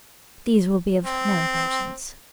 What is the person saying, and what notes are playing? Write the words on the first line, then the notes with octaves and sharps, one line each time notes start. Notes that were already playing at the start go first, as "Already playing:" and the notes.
These will be of no importance.
C4